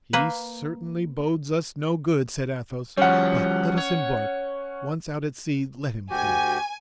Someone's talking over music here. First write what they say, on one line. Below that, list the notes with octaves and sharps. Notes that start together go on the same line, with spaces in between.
"He certainly bodes us no good," said Athos; "but let us embark; once out at sea, let him come."
A#3 B4
F3 G3 C#4 F#5
C#5
D2 F#4 G4 G#5